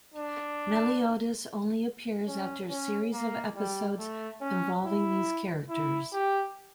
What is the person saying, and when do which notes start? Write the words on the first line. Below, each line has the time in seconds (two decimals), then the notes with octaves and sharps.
Meliodas only appears after a series of episodes involving these characters.
0.14 D4
2.27 C#4
2.70 C#4
3.13 A#3
3.56 G3
3.99 A3
4.41 C#4
4.85 E4
5.69 E4
6.13 G4